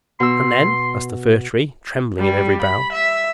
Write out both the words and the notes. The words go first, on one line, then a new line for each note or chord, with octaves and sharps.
"And then?" asked the Fir Tree, trembling in every bough.
B2 C6 E6
G3
B5
E5